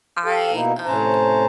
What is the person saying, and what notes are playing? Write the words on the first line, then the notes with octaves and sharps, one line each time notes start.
I, um,
G4 A4 F5
B2 A#3 D#4 E4
A2 C3 C#4 C5 A5 A#5